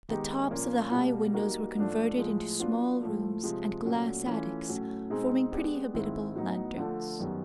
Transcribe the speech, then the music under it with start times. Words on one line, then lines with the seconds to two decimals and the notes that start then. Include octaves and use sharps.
The tops of the high windows were converted into small rooms and glass attics, forming pretty habitable lanterns.
0.09 D#3 G#3 B3 D#4 G4
0.50 A#2 F3 A#3 C#4 F4
0.92 B2 G3 A#3
1.33 G3 A#3 D#4 F#4 A#4
1.75 G#2 F3 A3 D4
2.17 A2 F3 G#3
2.59 F#3 B3 D4 F4
3.00 A2 F3 A3
3.43 C3 F3 G#3
3.85 A#2 F#3 A3 C#4
4.26 E3 A3 C#4 F4
4.68 A2 F#3 A3 C#4
5.09 B2 G#3 C4 D#4 G#4
5.51 G#3 B3 D4 G4
5.93 G#2 D#3 G#3 C4 E4
6.35 A2 F#3 B3 D#4
6.77 D3 F3 A3 D4
7.20 F#2 D#3 G3 B3